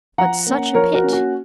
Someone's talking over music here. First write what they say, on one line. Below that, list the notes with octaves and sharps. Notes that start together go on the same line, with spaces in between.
But such a pit!
F3 F#5 A#5
A#3 C#4
F3 A#4 C#5
F#4 A#4
A#3 C#4
F#4